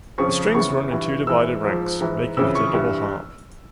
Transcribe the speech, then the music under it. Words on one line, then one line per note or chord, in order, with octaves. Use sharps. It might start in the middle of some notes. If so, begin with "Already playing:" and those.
The strings run in two divided ranks, making it a double harp.
F2 C#3 F3 C#6
E2 C#3 E3 C#6
G2 E3
G#2 E3 E6
G#2 F3
G#2 E3
F2 C#3 E3 E6
C#6
G2 E3